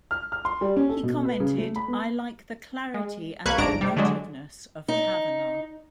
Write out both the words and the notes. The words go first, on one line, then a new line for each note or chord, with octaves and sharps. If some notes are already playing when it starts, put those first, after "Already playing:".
He commented: I like the clarity and the emotiveness of Kavanagh.
F6
F6
C6
G3
C#4
A4
B2
B4
C#3
A3
B5
B3
G#3
C2 A#3 B4 C#6 F#6 G#6
G1 C#2 G#2 D4 A#5 D7
C3 G3
D3 F#3 G#3 D4
D#4